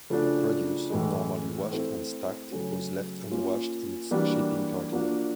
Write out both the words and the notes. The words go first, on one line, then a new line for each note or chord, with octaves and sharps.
Produce, normally washed and stacked, was left unwashed in its shipping carton.
C#3 F3 A3 D4 F#4
A2 E3 G#3
A3 C4 E4
C#3 F#3 A3 C#4 F#4
A#3 C#4 F4
E3 G3 A#3 D4 F#4
F3 A#3 D4 F#4